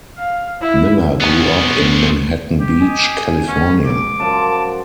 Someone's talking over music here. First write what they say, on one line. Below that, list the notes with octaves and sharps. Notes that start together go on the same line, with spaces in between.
Miller grew up in Manhattan Beach, California.
F5
E4
B3 C#4
G4
D#5 G#5
G#2 C#4
D6
F#2 F3 A5